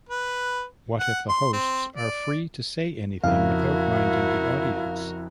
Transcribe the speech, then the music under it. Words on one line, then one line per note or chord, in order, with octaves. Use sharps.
What if the hosts are free to say anything without minding the audience?
B4
F#5
C6
C4
D5
F2 C#3 E4 F#4 A#4 F5